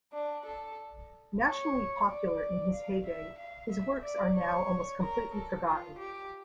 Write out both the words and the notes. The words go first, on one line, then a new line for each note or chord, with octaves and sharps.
Nationally popular in his heyday, his works are now almost completely forgotten.
D4
A4
C#5
D5
F5
E5
F5
E5
D5
C#5
A#4
A4
F4
G4